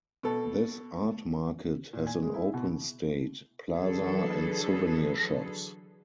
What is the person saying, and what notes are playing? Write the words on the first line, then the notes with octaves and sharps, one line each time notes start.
This art market has an open state, plaza, and souvenir shops.
B2 A4
A#2
G#5
G#3
E4
B2
D3 E3 F#3 G#4 A4 B4